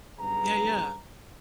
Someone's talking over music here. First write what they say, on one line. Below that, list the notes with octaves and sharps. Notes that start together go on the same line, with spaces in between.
Yeah, yeah.
B1 G2 C#3 G#4 B4 A#5